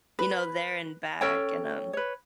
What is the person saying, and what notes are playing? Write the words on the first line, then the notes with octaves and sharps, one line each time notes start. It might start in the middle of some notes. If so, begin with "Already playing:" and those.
you know, there and back, and, um,
B4
C#4 A4 C#5 G5
B4 C#5